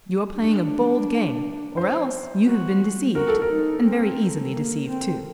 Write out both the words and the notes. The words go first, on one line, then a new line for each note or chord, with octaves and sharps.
You are playing a bold game or else you have been deceived, and very easily deceived, too.
D4
C5
F#4
F#4 A#4
A4
A#4
D#4
C4
A#3
C4